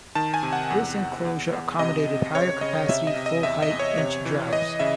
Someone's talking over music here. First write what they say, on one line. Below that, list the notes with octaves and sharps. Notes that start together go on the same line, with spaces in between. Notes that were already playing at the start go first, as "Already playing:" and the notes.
This enclosure accommodated higher capacity, full-height -inch drives.
D#3 A5
G#5
C3
F#5
E2
E2
E2
E2
C3 D#5
C3
C#3 C#5
C#3 D#5
C3 E5
D#5
C3
D#5
E2 E5
D#5
E2
C#5
C3 C#5
E3
E3 D#5
C#3 E5